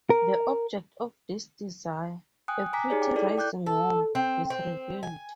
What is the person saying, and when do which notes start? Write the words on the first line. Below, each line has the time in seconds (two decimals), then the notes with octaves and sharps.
The object of his desire, "A pretty rising womb", is revealed.
0.10 A#4
2.48 G5 G#5 D#6 F#6
2.73 G#5 A#5 D6 B6
2.90 D#4 G4 G#4 C#5 D5
3.02 G5 D6
3.15 E4 A4 D5
3.38 G5 D6 F#6 G6
3.66 A4
4.15 C4
4.50 C4
5.03 G#5